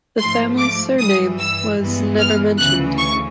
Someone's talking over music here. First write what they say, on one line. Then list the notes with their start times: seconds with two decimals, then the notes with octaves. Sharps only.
The family's surname was never mentioned.
0.19 G#2 F3 A3 C6
0.59 D6
0.98 G2 E3 G3 D#6
1.39 E6
1.79 G2 E3 G#3 B3
2.19 F6
2.58 D2 C#3 E3 F#6
2.98 C#6